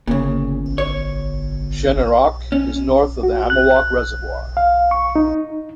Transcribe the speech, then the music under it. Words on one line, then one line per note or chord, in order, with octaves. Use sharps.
Shenorock is north of the Amawalk Reservoir.
G1 A#2 C#3
C#5
C#4
F#4
F#6
F5
C#6
D#4